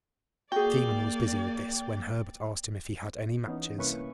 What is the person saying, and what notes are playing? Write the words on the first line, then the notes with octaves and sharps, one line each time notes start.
The seaman was busy with this, when Herbert asked him if he had any matches.
A#3 F#4 G#4 D5 G5
E3 B3 C#4 D#4
C2 A#3 C#4 E4 B4 C#6